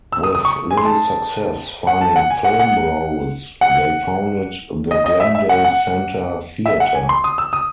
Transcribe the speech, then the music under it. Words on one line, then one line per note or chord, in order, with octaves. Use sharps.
With little success finding film roles, they founded the Glendale Centre Theater.
E6
D#6
D#6
C#6
G#5
C6
A5
F#5
A5
F#5
G#5
F#5
F#5
F#5
D#5
D#5
E5
E5
F#5
F#5
E5
F#5
G#5
C6
D#6
E6
D#6